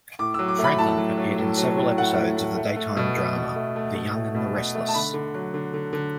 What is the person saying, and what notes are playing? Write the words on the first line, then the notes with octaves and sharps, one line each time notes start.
Franklin appeared in several episodes of the daytime drama "The Young and the Restless".
A2 D6
F#3 E6
D6
A3
B5
A2 A5
F#3
F#3
A2
F#3
A2
A3 F#5
A2
A2
A3
A3
B2
A3
B2
A3
A3
A3
A3
B2
B2
A3
A5
D3 B5
D3
F#3
D3
D3
D3